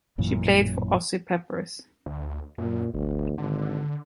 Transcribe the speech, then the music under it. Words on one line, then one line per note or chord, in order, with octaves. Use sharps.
She played for Aussie Peppers.
A1 F#2 A#2 E3
D2
F#2 A#2
G1 D2
G#1 D3